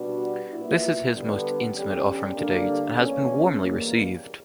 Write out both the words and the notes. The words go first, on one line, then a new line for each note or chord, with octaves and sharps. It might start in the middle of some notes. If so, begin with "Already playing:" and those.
This is his most intimate offering to date and has been warmly received.
Already playing: B2 G3 B3 D4 F#4
A#2 F#3 B3 E4
D3 G3 B3
E2 D3 G3 C#4 G4
D3 G3 A#3 D4
E2 D3 A#3 C#4
E2 B2 G3 A#3